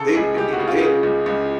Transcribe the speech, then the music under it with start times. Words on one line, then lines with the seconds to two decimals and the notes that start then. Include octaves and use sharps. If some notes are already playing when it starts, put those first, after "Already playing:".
they th you know, they
Already playing: C#3 A4
0.15 C#2 G#4
0.37 C#2 G4
0.53 F#4
0.59 C#3
0.68 F4
0.81 C#3
1.03 C#2
1.26 C#2